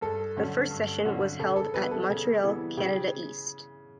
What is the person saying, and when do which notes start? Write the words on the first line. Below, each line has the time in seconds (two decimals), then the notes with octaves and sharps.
The first session was held at Montreal, Canada East.
0.01 G2 A4
0.36 D3 F#3 C#4 F#4
0.71 G2
1.05 D3 F#3 C#4 F#4
1.39 C#3 A4
1.56 A4
1.74 E3 G3 B3 E4 B4
1.91 A4
2.09 C#3
2.43 E3 G3 B3 E4
2.77 C#3 G4